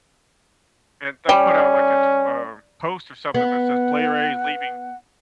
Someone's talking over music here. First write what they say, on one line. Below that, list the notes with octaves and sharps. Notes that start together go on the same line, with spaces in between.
and they'll put out, like, a, tw um, post or something that says "Player A is leaving”
G3 C#4
B3 F#5